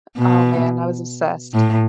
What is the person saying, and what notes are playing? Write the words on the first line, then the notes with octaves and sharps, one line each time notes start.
Oh, man. I was obsessed.
B2
A2